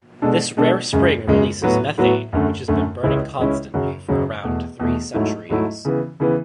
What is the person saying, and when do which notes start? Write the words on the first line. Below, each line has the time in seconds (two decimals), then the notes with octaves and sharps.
This rare spring releases methane, which has been burning constantly for around three centuries.
0.22 B2 G#3 D4 A4
0.57 B2 G#3 D4 A4
0.93 F#2 C#3 G#3
1.27 F#2 C#3 G#3
1.62 A2 F#3 B3 F#4
1.98 A2 F#3 B3 F#4
2.33 F#2 D3 A3
2.68 F#2 D3 A3
3.03 C#2 C#3 G#3 C#4 E4
3.39 C#2 C#3 G#3 C#4 E4
3.74 F#2 C#3 F#3
4.08 F#2 C#3 F#3
4.44 E2 B2 A3
4.80 E2 B2 A3
5.14 G#2 F#3 A3 E4
5.49 G#2 F#3 A3 E4
5.85 C#3 E3 B3
6.20 C#3 E3 B3